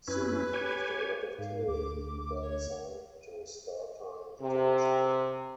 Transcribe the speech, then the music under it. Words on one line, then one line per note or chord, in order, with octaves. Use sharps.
Soon, after a lot of touring, the band signed to Startime International.
F#2 C#4 E4 B4
G4 C#5 G#5
G#2 F5
D2 D6
C#5
C3